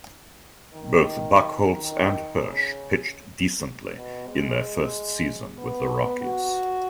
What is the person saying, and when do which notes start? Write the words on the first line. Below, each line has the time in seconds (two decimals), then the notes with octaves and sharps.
Both Buchholz and Hirsh pitched decently in their first season with the Rockies.
0.74 D#3
1.71 D#3
2.35 C#3
3.96 B2
4.28 G#3
5.58 B3
6.22 F#4